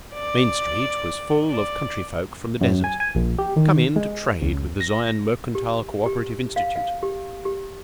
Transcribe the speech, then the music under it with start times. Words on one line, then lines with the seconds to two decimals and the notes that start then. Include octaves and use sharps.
Main Street was full of country folk from the desert, come in to trade with the Zion Mercantile Co-operative Institute.
0.13 D5
1.51 D5
2.61 F#2
2.84 G#5
3.00 G#5
3.15 A#1
3.39 G4
3.56 D#3
3.96 G#3
4.42 C#2
4.81 A#6
5.55 G4
6.06 G4
6.56 F5
6.76 F5
7.03 G4
7.45 G4